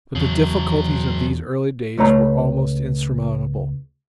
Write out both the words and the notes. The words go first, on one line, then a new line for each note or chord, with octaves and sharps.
But the difficulties of these early days were almost insurmountable.
E2 C#3 F#3
C#2 A3 C#5 A#5